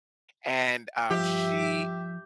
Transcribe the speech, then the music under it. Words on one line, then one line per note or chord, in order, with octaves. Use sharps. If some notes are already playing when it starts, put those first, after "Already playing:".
and, um, she
G2 F3 G4 E5